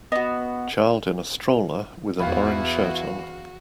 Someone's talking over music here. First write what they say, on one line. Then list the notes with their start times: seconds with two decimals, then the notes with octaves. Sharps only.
Child in a stroller with an orange shirt on.
0.12 B3 F#4 D#5
2.20 E2 B3 E4 F#4 F5 B5